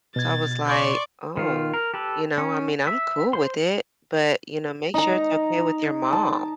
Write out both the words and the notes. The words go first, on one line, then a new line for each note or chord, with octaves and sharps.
So I was like, "Oh, you know, I mean, I'm cool with it, but, you know, make sure it's okay with your mom."
B2 G#6 A6
D5 C6 C#6
D#3 F4
A#4
G4 A4 B4
C#4
E5
C5 C6
D#4 A#5
A5